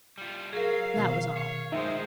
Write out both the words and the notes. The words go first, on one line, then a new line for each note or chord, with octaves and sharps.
That was all.
G3 F4
F#3 G#4 A#4 F5
B2 D#3
C#5
D#3 F3 G#3 D#4 C5 E5